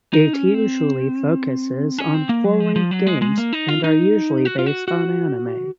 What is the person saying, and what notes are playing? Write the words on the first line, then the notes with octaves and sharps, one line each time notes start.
It usually focuses on foreign games, and are usually based on anime.
D#4
C#4
C4
C#4
C4
A#3
F#3
F3
F3
F#3
G#3
G#3
A#3
D#4
F4
D#4
F#4
F4
F#4
F#4